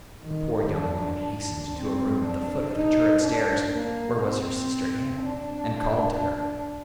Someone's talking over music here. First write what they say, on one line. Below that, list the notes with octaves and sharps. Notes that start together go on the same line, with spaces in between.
The poor young woman hastened to a room at the foot of the turret stairs where was her Sister Anne, and called to her.
D#3
D4
C4
D4
D#4
D4
A#3
C4
D4